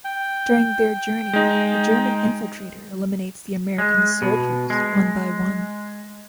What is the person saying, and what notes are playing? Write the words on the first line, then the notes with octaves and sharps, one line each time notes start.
During their journey the German infiltrator eliminates the American soldiers one by one.
G5
G#3 D#4
G#3
B2
G#3